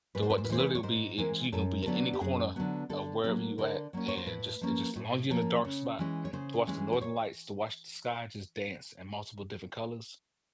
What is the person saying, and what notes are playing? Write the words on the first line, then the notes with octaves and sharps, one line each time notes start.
to wa literally will be it you gonna be in any corner of wherever you're at, and just it just as long as you're in a dark spot to watch the Northern Lights, to watch the sky just dance in multiple different colors.
G#2 B4
C5
B4
C5
B4
E3 G#3 C4 C5
B4
C#5
G#2 C5
E3 G#3 C4 A#4
F#2 A4
A#4
D3 F#3 B3 A4
G4
F#2 G#4
D3 F#3 B3
D3 A4
F#3 A#3 C#4
D3 A#4
F#3 A#3 C#4
C#5
C5
A2 B4
F3 A#3 C#4
A2
F3 A#3 C#4
C#3
E3 G#3 C#4
C#5
C#3 C5
E3 G#3 C#4
C5
C#5